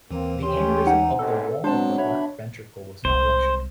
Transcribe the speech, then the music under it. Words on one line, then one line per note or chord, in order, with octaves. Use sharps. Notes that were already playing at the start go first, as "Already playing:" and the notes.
The aneurysm of the wall of the left ventricle was not ruptured.
D#2 E3 A#3 C4
C#4 G4 C6
D#4 F#5 G#5
B1 G#2 C3 A4
B2 F#3 G#3 C4 D4 C5 A5
C#5 E5 B5
C2 G#3 C5